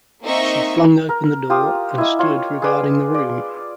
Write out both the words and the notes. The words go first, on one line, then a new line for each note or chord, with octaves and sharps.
She flung open the door and stood regarding the room.
A#3 C4 D#4 D#5 E5 C#6
A#4
F4 G4 D#6
E4 D#5
F4 C#5
G#4 B4 D5
D5